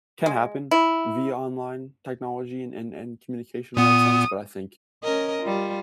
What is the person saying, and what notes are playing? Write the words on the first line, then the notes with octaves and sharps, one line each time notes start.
can happen via online technology and and and communication, in that sense, but I think
G#3
E4
A#2 B3 D#6
C#4 A#4 D#5
G3 F4